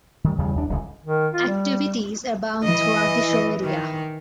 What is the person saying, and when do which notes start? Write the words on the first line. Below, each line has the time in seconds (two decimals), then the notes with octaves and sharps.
Activities abound throughout the show area.
0.24 D#3 G3
0.38 E2 C#3 G3
0.56 D#2 D4
0.69 D1 C#2 D#3 G#3
1.04 D#3
1.33 F4
1.47 G3
2.64 E3 D#5
3.64 D#3